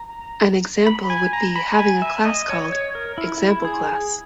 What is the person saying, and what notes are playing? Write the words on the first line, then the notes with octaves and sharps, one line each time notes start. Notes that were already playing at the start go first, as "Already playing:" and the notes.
An example would be having a class called "ExampleClass".
Already playing: A#5
B5
G#5
A#5
B5
G#5
E5
D#5
C#5
C#5
A#4
E4
E4
G#4